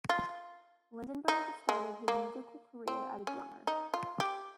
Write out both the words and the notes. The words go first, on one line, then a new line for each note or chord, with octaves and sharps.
Lindenberg started his musical career as a drummer.
F4
D#4
G#3
A#3
C4
C#4
D#4
F4
G4